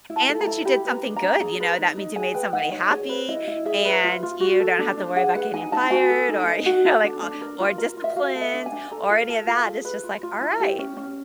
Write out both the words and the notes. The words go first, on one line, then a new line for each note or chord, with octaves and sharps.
and that you did something good, you know, that means you made somebody happy, and you don't have to worry about getting fired, or you know, like, or or disciplined, or any of that, it's just, like, all right,
E4
A5
A4
A#5
E4
G4 B5
B4
A#5
D4
A#5
D4
G#4 A#5
B4
D#4
D#4
G#4 G#5
B4 G5
D#4 F#5
D#4 C#5
G#4 C#5
B4
E4 D#5
E4
G#4 E5
B4
F4
F4
F#4
A4
D4
D4
G#4 F#5
B4 F#5
D#4 G#5
D#4 A5
F#4 G#5
A4
D#4
D#4
F#4
A4
D4
D4
A#4
F4
A#4
F4
E5
F#4 F5
A4
E5
D4
G#5
D4
A4 A#5
F4
A4
F4
G#4
B4
F4
F4
E4
G4
C#4
C#4